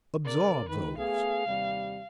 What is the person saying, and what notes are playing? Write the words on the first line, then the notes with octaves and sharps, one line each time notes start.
Absorb those.
C#3 A#4 D5
D#3 B4
A3 B3 G#4 F5
D#2 C3 G3